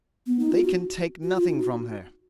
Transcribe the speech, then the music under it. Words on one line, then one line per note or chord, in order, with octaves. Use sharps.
"They can take nothing from her."
B3
D#4
F4
F#4
F#4
F4
D#4
F#4